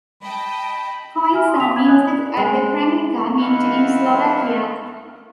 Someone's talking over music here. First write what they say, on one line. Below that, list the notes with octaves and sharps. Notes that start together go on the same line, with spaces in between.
Coins are minted at the Kremnica mint in Slovakia.
D#5 G5 A5 B5
E5 G#5 F6
C6 D#6
F5 A5 D6 B6 F7
B5 D#6 G#6
C#5 D#5 G#5 D#6 F#6
D5
G#3
E2 G#3 E4 F5 F#5